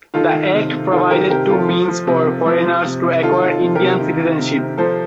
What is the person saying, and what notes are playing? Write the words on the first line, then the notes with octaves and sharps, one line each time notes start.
The Act provided two means for foreigners to acquire Indian citizenship.
D#3 F4 A4
D#3
C3
C3
D#3 F4 A4
D#3 G4 A#4
C3 G4 A#4
C3 F4 A4
F3
F3
C3
C3
F3
F3
C3
C3
D#3 F4 A4
D#3
F4 A4
C3
G4 A#4
C3
D#3
D#3
C3
C3
F3 A4 C5